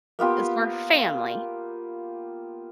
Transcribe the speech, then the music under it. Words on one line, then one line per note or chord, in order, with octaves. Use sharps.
is for family.
A#3 B3 F4 G4